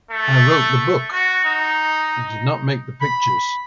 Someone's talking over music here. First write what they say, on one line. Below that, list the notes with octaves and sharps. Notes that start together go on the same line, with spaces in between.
I wrote the book; I did not make the pictures.
A3
F#4
D#4
B5